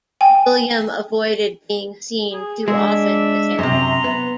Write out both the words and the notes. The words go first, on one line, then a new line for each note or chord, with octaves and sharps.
William avoided being seen too often with him.
G5 G#5
G#4
G#3 D4 E5
F#2 C3 A#5 C6
B3